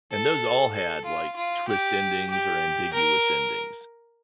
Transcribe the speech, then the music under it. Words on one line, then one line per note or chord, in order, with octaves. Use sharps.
and those all had, like, twist endings or ambiguous endings,
A4
A4
F4
F4
G4
G4
A#4